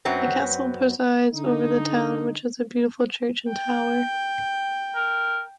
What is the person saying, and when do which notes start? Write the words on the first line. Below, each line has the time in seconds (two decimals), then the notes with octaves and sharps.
A castle presides over the town, which has a beautiful church and a tower.
0.05 F#2 F#3 B3 C4
1.34 D3 D#4
3.49 G5
4.95 A#4